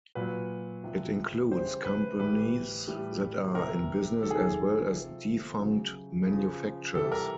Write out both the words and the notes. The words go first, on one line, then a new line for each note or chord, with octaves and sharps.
It includes companies that are in business as well as defunct manufacturers.
A#2 F#3 B4
C3 F3
C#3 E3 G3 C5
B4
A2 E3 G3 B4
A2 E3 G3
C3 E3 G3 A#4
C3 D#3 F#3 A4
G#4
A4
C3 F3
C#3 F#3
C#3 F3
C3 E3 G3 A4
A#4